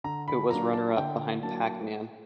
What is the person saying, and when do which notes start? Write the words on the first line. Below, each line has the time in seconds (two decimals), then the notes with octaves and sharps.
It was runner-up, behind "Pac-Man".
0.04 D3 A#5
0.28 B5
0.50 F#3 A#3 D4 A#5
0.73 A5
0.96 D3 G5
1.43 F#3 A#3 D4 A5